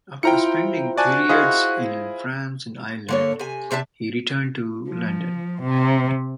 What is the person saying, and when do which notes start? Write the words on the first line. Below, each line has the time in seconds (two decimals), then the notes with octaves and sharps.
After spending periods in France and Ireland, he returned to London.
0.23 E4 F4 C5 G5 A#5 C#7
0.97 F#4 D5 G#5 A5
1.29 E4 G#4 C5 D#5 F5
3.09 D3 A#3 C#5
3.39 C3 G#5
3.71 C3 D4 E5 A5
4.90 F3
5.62 C3